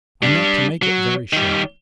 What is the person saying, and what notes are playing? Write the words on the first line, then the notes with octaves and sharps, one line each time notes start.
I meant to make it very short.
G3 D4
F#3
D#3 G3